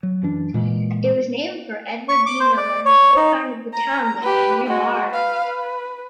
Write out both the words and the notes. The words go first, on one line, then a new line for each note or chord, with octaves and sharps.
It was named for Edward D. Miller, who co-founded the town with Henry Barr.
F#3
F#2 E3 D4
A#2 E3 G#3
C#6
D6
C5
D5
C#5
D#4
A#5
G4 B4
G#3 F#4
B4 F5
B4